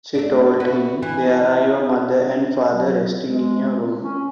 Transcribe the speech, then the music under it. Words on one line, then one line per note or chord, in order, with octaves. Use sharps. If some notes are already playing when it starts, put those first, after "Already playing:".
She told him: 'There are your mother and father resting in your room.
A3 D4
A3 F#4 B4
E3 G#5
E4
F#3
G#3
C#4